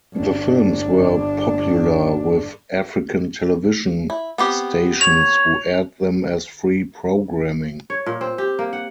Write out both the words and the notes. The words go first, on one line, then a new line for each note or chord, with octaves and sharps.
The films were popular with African television stations, who aired them as free programming.
G1 D4
E4
B3 C4 G4
C#5 F7
C#5
A#2
C4
G4
A#3
F#5